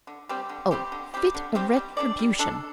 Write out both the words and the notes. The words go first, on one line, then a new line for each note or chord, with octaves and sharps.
Oh, fit retribution!
D3
G3 C4 G4
D3
G3 C4 G4
D3
G3 C4 G4
D3
G3 C4 G4
G3
D4 A4 D5
G3
D4 A4 D5